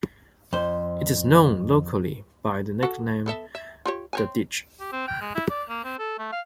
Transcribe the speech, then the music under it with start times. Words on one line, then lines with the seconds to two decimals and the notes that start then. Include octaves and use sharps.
It is known locally by the nickname The Ditch.
0.53 F2 C5
2.82 F#4 A4 F#5
3.26 B3 A4 E5
3.55 E5
3.86 F4 G4 C#5
4.13 C4 C#5 G#5
4.80 G4
4.92 C4
5.07 G5
5.21 G#3
5.35 E4
5.50 D5
5.69 A#3
5.84 C4
5.99 A4
6.19 A3
6.32 F5